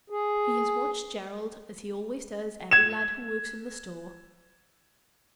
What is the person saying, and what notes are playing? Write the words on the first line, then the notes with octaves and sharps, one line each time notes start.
He has watched Gerald, as he always does every lad who works in the store.
G#4
G#6 E7